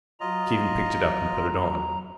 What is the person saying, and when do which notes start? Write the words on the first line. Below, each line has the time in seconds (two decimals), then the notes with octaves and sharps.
Stephen picked it up and put it on.
0.20 F#3 F4 D#5 A#5